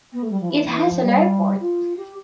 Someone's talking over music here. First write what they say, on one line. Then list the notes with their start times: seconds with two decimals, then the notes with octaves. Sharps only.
It has an airport.
0.13 B3
0.22 A3
0.31 G3
0.41 F3
0.49 E3
0.68 E3
0.86 F3
1.05 G3
1.60 F4
1.97 G4